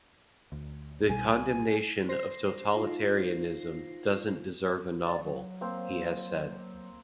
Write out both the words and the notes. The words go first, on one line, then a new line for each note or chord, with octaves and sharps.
"The condemnation of totalitarianism doesn't deserve a novel," he has said.
D2
C2 B2 G3 G#5
C5 A#6 C7
D#4 F4
D5
F#3
A#3 C4